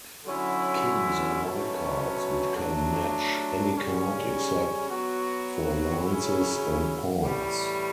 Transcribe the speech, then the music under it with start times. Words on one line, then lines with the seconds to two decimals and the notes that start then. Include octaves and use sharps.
Kings are wild cards which can match any card except for lances and pawns.
0.24 D3 F#3 C#4 E4
1.41 B2 F#3 A3 C#4
2.57 F#3 A3 D4
3.73 C#3 G3 C#4
4.89 F#3 B3 F#4
6.04 C#3 F#3 C#4 E4
7.21 A2 E3 G3